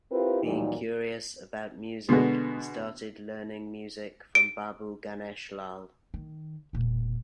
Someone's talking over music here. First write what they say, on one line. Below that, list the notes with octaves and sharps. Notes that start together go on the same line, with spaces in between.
Being curious about music he started learning music from Babu Ganesh Lal.
C4 E4 F4 G4 A#4 B4
D#2 A#2 E3 F#3 G3 D#4
B2 D3 G#3 B3 F#4
D7
D#3
E1 A#2